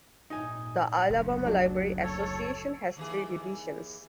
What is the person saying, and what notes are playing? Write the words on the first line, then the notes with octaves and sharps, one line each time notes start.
The Alabama Library Association has three divisions.
G#1 A#2 D#4 G#5
F#1 D2 C3
C#3 F#3 D4
A4 C#5
D#2 E3 G#4